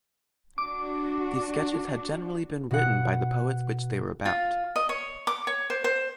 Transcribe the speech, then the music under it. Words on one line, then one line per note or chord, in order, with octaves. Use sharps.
These sketches had generally been written by the poets which they were about.
D4 F#4 D6
B2 F#5
F4
D#5
C#5
D6
C#5
C5
C5